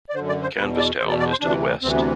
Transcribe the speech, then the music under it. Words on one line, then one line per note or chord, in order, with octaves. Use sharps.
Canvastown is to the west.
D5
F#2 D3 C5
D5
C5
E2 B2 B4
D5
E2 B2 C5
D5
D5
C5
D2 C3 E3 D4
D2 C3 E3 C4
B3